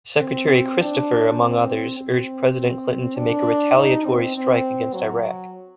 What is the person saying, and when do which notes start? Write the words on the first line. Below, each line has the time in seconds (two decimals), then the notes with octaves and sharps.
Secretary Christopher, among others, urged President Clinton to make a retaliatory strike against Iraq.
0.21 C4
0.80 D4
1.39 C4
1.99 C4
3.17 D4
3.75 D#4
4.06 C4
4.35 C4
4.94 F#3